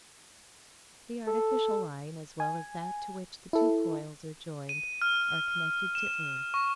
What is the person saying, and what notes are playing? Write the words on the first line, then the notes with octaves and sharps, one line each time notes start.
The artificial line, as well as that to which the two coils are joined, are connected to earth.
A4
G#5
E4 A4
D#7
F6
E7
C#6